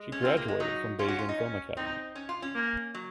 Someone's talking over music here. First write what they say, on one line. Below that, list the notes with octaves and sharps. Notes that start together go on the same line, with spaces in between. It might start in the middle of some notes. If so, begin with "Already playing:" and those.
She graduated from Beijing Film Academy.
Already playing: G#3
C#4
C4 F4
A#3
G#3
F#3 D#4
C#4 F4
F#4
F4
D#4
C#4
C4 D#4
C#4
F4
C#4
A#3
F#3